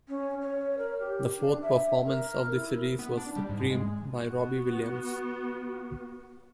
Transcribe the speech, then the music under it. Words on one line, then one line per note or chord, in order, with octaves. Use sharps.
The fourth performance of the series was "Supreme" by Robbie Williams.
C#4
C#5
A#4
G4
D4
E5
A#4
E4
B3
D4
G3
G#2
G#3
B3 F#4